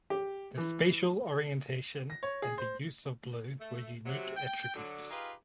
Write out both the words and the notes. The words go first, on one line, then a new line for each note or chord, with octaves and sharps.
The spatial orientation and the use of blue were unique attributes.
G4
E3
A#6
C#5
G#4
C5
A3
C3 F#3
G5
D3 F#3
D#4 F4 G4 G#4 B4 F5